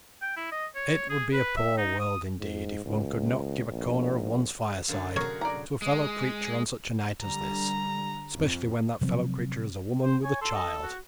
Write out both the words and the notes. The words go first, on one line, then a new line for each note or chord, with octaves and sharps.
It would be a poor world indeed if one could not give a corner of one's fireside to a fellow-creature on such a night as this, especially when that fellow creature is a woman with a child.
G5
E4
D#5
C#5
G#4
B4
E5
D#4
D#6
G#2
C#2
A#1
F#2 D3 F5
F#4 G#4 A#4 C#5
D5 A#5
G#3
D3 G3 A#5
F2
C3 F3 F#3 C4
C5
C#5 G#5
A4 C6
D#5
F#4